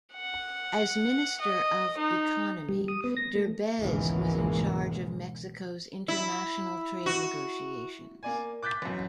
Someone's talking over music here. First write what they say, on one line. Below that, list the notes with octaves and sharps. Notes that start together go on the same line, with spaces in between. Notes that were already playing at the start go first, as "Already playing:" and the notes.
As Minister of Economy, Derbez was in charge of Mexico's international trade negotiations.
F#5
D#5
D#4
G3
D#6
B3
A#6
A3
G#1 C#2 B2 E3 G#3 A#3
E4
F#4
A#3 D5 G#5
D6 F#6 G6 A6 B6
A1 F#2